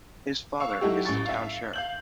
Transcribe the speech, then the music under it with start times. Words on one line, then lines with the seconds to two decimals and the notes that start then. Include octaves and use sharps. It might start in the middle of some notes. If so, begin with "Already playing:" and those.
His father is the town sheriff.
0.60 F5 C#6 E6
0.81 F#3 A3 D#4 E4 F#4 G4
1.05 A1 C#4 C#6 A6
1.26 E5 F5
1.73 F5 G6 F#7